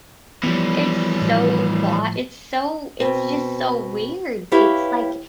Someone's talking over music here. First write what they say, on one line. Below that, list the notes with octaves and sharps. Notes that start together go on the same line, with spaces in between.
it's so lot it's so it's just so weird. It's, like
E3 F3 G3 B3
A2 F3
B2 C4
E4 G4 B4 C#5 E5 F5